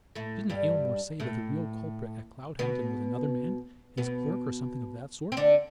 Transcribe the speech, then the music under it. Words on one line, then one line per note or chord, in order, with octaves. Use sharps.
"Didn't Aylmore say that the real culprit at Cloudhampton was another man--his clerk or something of that sort?"
A2 A3
G2 G3
A2 A3
B2 B3
B2 B3
C4
D3 D4